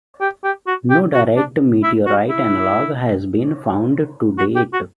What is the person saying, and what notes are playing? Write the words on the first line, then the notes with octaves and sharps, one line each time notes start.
No direct meteorite analog has been found to date.
G4
G4
F#4
G4
F#4
D4
E4
F#4
E4
F#4
G4
F#4